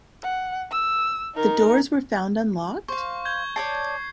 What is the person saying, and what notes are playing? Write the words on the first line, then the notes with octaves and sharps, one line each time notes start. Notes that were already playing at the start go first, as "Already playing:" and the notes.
The doors were found unlocked?
F#5
E6
D#4 A#4
C5 F5 C#6
G6 G#6 G7
C#5 D5 A5 C7